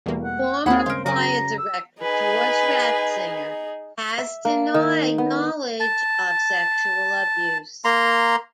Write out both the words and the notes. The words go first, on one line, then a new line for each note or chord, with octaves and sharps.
Former choir director Georg Ratzinger has denied knowledge of sexual abuse.
E2 B2 G3 A3 A#3
F#5
D#2 A#3 C4 G#4 C#5 F#5 B5 F#6
G2 C#3 G#3 A#4 C5 F5
F#2 C#3 F#4 A#4 A#5 D6 D#6
E6
D#4 G#4 B4 G#5
E5
A#3
D#3
B3
A5
A#3 A#5 C6